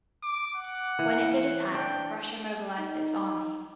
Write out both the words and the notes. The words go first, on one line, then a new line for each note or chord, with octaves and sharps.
When it did attack, Russia mobilized its army.
D6
F#5
E3
D4 G5
D#4